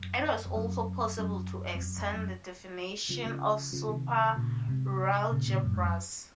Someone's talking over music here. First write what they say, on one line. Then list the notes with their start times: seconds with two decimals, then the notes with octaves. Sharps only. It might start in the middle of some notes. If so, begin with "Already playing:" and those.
It is also possible to extend the definition to superalgebras.
Already playing: F#2
0.46 F2
0.56 F#2
1.19 F#2
1.75 F2
1.82 F#2
1.98 F2
2.14 F#2
3.09 C#3 F3
3.25 C#3 F3
3.73 C#3 F3
3.88 C3 D#3
4.36 A#2 C#3
4.68 G#2 C3
5.32 A#2 C#3
5.48 A#2 C#3
5.63 F#2 A#2
5.74 F2 G#2
5.84 F#2